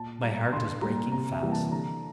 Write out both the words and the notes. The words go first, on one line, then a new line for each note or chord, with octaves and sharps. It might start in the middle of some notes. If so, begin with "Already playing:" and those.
My heart is breaking fast.'
Already playing: A#2 A5
G3 A#3 A#5
D3 C6
G3 A#3 A#5
C3 A#5
E5
E3 G3 A#3
A5
D3 A#5